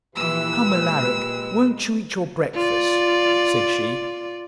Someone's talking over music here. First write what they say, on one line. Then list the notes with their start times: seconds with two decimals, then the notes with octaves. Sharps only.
'Come, Alaric, won't you eat your breakfast?' said she.
0.16 A#2 E3 F3 E4 G4 B4 E6
0.64 G#3
2.54 F4 D5